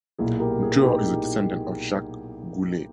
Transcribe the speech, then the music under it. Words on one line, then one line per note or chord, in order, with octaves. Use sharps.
Joe is a descendant of Jacques Goulet.
B1 A#2 A#3 E4 G#4
G4 A#4
E4 G#4
D#4 G4
D#4